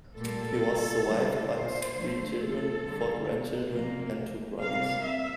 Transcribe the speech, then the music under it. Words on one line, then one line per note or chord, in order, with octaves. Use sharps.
He was survived by his three children, four grandchildren, and two brothers.
A#2 G3 A#3 A4
D3 G3 A#3
C5
D3 F3 A3
A4
D3 G3 A#3
C3 F3 A#3
C3 G3 A#3 F5
E5